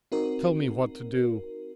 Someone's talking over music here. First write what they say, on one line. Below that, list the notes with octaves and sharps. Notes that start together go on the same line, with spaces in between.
Tell me what to do!...
C4 D#4 F#4 A#4